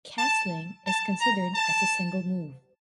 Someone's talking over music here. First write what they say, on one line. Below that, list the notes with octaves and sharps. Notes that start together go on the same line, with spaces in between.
Castling is considered as a single move.
A5
A5
A#5
A5